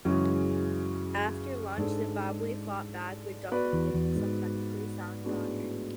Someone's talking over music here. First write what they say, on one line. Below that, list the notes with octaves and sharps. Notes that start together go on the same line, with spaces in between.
After lunch, Zimbabwe fought back, with Duffin hitting some technically sound boundaries.
F#2 C#3 E3 G#3 C#4 F#4
G#2 G#3 D4 A4 D5
B3 F#4 B4 D5
E2
E2
G#2
A2 G#3 B3 D4 F#4